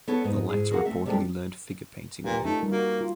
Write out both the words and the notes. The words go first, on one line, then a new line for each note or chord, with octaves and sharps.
The latter reportedly learned figure painting with him.
B3 A4 C#5
G#2 B3 D#4
G#2 E4 G#4
F#4 G#4 A#4 F5 F#5
A3 C4 E5
C3 G3 G#3 A#3 A4 G5
A#2 F4 G4 B4
A3 C#4 D#4
G3 A#4
A#3 F#4
F4